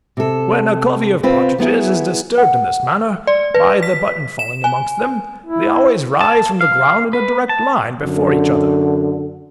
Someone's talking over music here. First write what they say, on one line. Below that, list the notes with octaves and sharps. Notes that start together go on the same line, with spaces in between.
When a covey of partridges is disturbed in this manner, by the button falling amongst them, they always rise from the ground in a direct line before each other.
C3 A4
C#3 C4 F4 B4
F#3 B3 E4 G#4
F#5
D5
B4
B6
E7
G#5
E4
A5
F5
B4
A5
F#2 D3